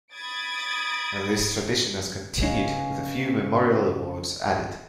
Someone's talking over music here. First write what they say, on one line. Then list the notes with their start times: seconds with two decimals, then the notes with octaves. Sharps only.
This tradition has continued with a few memorial awards added.
0.13 B5 D#6 G#6 A6 D7
2.40 C#3 C#4 B4 D#5 F5 G#5